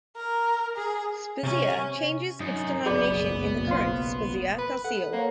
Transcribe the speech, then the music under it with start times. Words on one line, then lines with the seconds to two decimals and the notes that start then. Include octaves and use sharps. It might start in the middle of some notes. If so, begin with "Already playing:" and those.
Spezia changes its denomination in the current "Spezia Calcio".
0.16 A#4
0.76 G#4
1.43 C3 C#4
2.40 F#2 D#4
2.86 F#1 B1 F#2 B3 G#4 D5 B5
3.67 F4 C5
4.58 B4
4.85 A4 F#5
5.13 A#3 C5 C#5